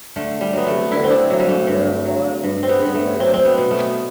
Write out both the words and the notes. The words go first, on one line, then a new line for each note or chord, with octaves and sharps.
It destroys some of the fault traces.
D3 A3
G3
F#3 B3
A3
D3 E4
C4
D4
F#3
G3
A3
G2
F#3
G2
C4
B3
G2 B3
A3
F#3 C4
D4
C4
B3
B2
A3